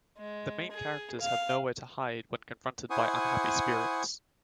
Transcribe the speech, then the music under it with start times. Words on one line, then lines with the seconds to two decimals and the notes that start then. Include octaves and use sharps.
The main characters have nowhere to hide when confronted by unhappy spirits.
0.17 G#3
0.71 G#4
1.21 F5
2.90 E4 C5 F#5 G#5 C#6 D#6